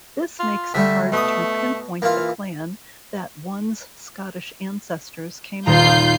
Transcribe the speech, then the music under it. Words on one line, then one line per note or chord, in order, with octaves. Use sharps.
This makes it hard to pinpoint the clan that one's Scottish ancestors came from.
F4
D3 G3 A3 E5
B2 A3 D#6
E3 A#3 F4
D#1 F4 A#5 G6 C7